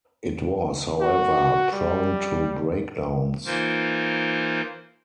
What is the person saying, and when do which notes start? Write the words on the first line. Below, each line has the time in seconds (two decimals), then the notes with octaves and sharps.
It was, however, prone to breakdowns.
1.01 F#4
1.72 G3
3.46 E3 A#3 D#4 F4 A#4 C5